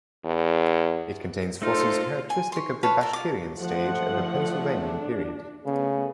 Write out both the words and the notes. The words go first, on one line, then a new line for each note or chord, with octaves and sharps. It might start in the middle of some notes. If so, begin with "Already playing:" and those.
It contains fossils characteristic of the Bashkirian stage of the Pennsylvanian period.
E2
A3 D#4 F4 A4 C5
G#5
C#5 C6
B4 C#5 F5 A5
A4 A#4
F4 D6
D3 F3 A3 F#5
D4
C#3 A3 B3